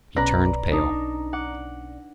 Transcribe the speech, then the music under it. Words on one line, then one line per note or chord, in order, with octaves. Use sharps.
He turned pale.
B1 C#4 B4 D5 A#5 A#6
D4 D#4
F#5 D6